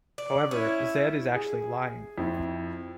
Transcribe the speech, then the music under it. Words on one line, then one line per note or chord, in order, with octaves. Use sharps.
However, Zedd is actually lying.
D5
C#4 E4
G#4
F2 E4